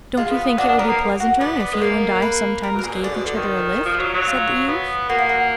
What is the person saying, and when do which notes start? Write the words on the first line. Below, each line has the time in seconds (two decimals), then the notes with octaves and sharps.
"Don't you think it would be pleasanter if you and I sometimes gave each other a lift?" said the youth.
0.17 G#3 F4
0.31 B3
0.44 B3
0.58 D4 F#4
0.68 D4
0.78 B3 A#4
0.89 A#3
1.20 F#4
1.40 B3 D5
1.60 D5
1.74 G#3
1.81 A#3 D5
2.22 B4
2.63 A#4
2.74 B2
2.79 A#4
2.83 A#2 G#4
2.94 B2
3.04 D3 D5
3.15 B2
3.25 D3
3.35 D#3
3.86 F3
3.99 F#3
4.14 F#3
4.27 F4
4.68 B3
5.09 A#3 F#4
5.18 F4
5.29 F#4